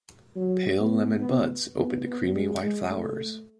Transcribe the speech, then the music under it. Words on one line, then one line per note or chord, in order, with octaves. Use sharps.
Pale lemon buds open to creamy white flowers.
F#3
B3
B3
B3
B3
G#3
G#3
A3